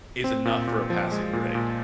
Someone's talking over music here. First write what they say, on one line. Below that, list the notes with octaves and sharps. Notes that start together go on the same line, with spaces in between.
is enough for a passing grade."
C4
A#2
A#2
F3
G#3
A#2
A#2